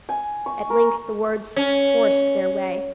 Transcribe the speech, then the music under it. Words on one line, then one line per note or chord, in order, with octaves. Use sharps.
At length the words forced their way.
G#5
C#6
A#4
C#4